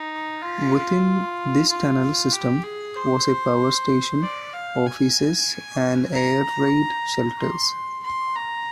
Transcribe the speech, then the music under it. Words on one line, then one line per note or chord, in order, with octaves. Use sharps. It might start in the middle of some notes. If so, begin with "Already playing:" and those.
Within this tunnel system was a power station, offices and air raid shelters.
Already playing: D#4
F4
F4
G4
G#4
C5
D5
F5
G#5
A#5
C6
C6
A#5